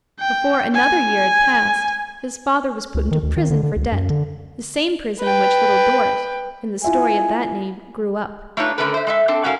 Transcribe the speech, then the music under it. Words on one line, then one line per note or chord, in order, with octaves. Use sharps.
Before another year had passed, his father was put into prison for debt--the same prison in which Little Dorrit, in the story of that name, grew up.
G5
G#5
C#2
D#3
D2
D#3
D3
D3
C#2
F#2
D3
B4 G5
E4 F4 E5 G#5
A3 D4 D#4 F4 B4 C#5
D3 A3 C#4 A#4 B4
C5 E5
G#3 A4 E5
C4 D4 A4
G#2 C#4 F#4 A#4 F5